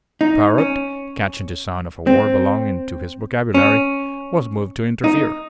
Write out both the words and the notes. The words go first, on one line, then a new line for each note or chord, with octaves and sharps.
The parrot, catching the sound of a word belonging to his vocabulary, was moved to interfere.
D#4
C#4
C4
C#4
D#4